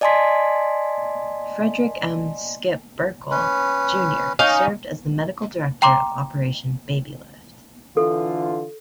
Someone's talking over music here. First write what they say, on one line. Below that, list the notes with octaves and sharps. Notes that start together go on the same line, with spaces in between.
Frederick M. "Skip" Burkle, Junior served as the medical director of Operation Babylift.
D5 D#5 G#5 A5 C6 B6
C#4 B4
C#4 D#4 D#5 F5
G5 A#5 C6 D6
D3 E3 F4 A4